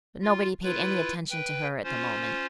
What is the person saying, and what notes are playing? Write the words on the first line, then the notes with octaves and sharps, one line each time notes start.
But nobody paid any attention to her at the moment.
F4
E4 F4 B4
B4 G5
C#4 F4 C5